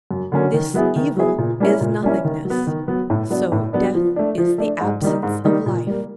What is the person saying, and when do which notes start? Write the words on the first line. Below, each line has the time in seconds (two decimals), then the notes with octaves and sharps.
This evil is nothingness; so death is the absence of life.
0.11 F#2
0.32 D3 F#3 A#3 C#4
0.54 D#3
0.74 F#3 B3 E4 G#4
0.96 D#3
1.17 F#3 B3 E4 G#4
1.38 A#2
1.60 G3 A#3 C#4 E4
1.81 A#2
2.03 G3 A#3 C#4 E4
2.25 D#3
2.45 F#3
2.50 B3
2.67 D#3
2.88 F#3 B3
3.10 A2
3.30 F#3 B3 D4
3.52 A2
3.73 F#3 B3 D4
3.95 F3
4.16 A3 D4
4.38 F3
4.58 A3 D4
4.80 G#2
5.02 D#3 G3 A#3 D#4
5.23 G#2
5.44 D#3 G3 A#3 D#4
5.66 A#2
5.87 G3 A#3